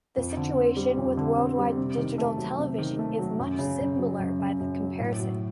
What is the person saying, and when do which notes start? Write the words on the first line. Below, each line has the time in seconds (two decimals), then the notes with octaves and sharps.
The situation with worldwide digital television is much simpler by comparison.
0.17 F2
0.37 D3
0.57 C4
0.77 G3
0.98 F2
1.17 D3
1.37 C4
1.58 G3
1.77 C3
1.98 D#3
2.18 A3
2.38 F#3
2.58 C3
2.78 D#3
2.99 A3
3.19 F#3
3.39 F#2
3.59 C#3
3.80 F#2
3.99 F#3
4.19 F#2
4.39 C#3
4.60 F#2
4.81 F#3
5.00 A2
5.20 F#3